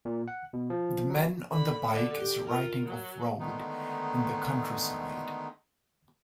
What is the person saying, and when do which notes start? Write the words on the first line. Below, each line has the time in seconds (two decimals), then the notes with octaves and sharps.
The man on the bike is writing off road in the countryside.
0.05 A#2
0.28 F#5
0.53 B2
0.70 F3
1.10 F#3
1.50 D3 B5
1.89 D3 A4
2.18 G4
2.47 F4 A#4
2.86 F#3
3.39 D3 D#3 G#3 A3 B3 D#4